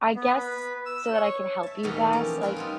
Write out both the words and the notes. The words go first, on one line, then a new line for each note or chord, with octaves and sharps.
I guess so that I can help you best, like,
B3
B4
E6
C#5
E5 A5
E2 B2 G3 A3 A#3 D#4
F3 C#4 D5
C4 F4 A#4 B4
G3 B3 D#4